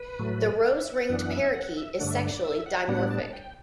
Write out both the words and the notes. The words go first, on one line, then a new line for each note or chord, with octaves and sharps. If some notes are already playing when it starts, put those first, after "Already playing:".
The rose-ringed parakeet is sexually dimorphic.
Already playing: B4
A2 F#3 A3
D5
E5
F#5
F#2 E3 B3 D4 F#5
F#5
E5
F#5
E5
G2 D3 A3 D4 F#5
E5
D5
D5
E5
F#5
A2 G3 B3 D4 F#5
A5
G5